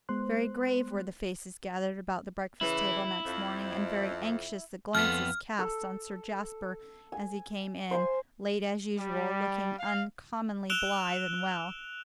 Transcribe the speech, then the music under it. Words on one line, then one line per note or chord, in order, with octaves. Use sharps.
Very grave were the faces gathered about the breakfast table next morning, and very anxious the glances cast on Sir Jasper as he came in, late as usual, looking uncommonly blithe and well.
G#3 B3 C5 C6 F#6
C#3 E3 E4
F2
F2 B3 F4 A4 F6
A4
G#5
C5 F5 G#5 C6
G3
F5
E6 F#6 D7 E7 F7 G7